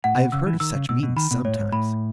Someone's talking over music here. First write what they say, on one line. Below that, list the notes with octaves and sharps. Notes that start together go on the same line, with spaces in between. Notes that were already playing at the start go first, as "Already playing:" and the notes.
I have heard of such means sometimes.
A2 F#5
B2
C#3 E6
E3
D#3 E6
C#3
B2 E6
B2
D#3 B5
B2
A2 C#5
G#2
A2 B5